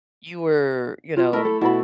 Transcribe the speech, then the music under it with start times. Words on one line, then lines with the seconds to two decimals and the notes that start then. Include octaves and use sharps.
you were, you know,
1.17 F4
1.33 A3 E4 A#4 D#5 D6
1.45 A4
1.61 B2 E4 F#4 A4 B5